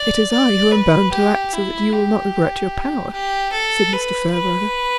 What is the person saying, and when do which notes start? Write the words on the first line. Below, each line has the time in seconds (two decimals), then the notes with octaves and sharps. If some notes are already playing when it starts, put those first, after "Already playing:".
"It is I who am bound to act so that you will not regret your power," said Mr. Farebrother.
Already playing: D5
0.32 D5
0.72 B4
1.12 G4
1.53 E4
1.92 G4
3.13 G4
3.53 A4
3.93 B4
4.33 B4